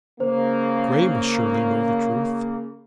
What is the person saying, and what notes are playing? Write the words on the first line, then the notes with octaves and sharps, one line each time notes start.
Grey must surely know the truth.
C#3 A#3 C5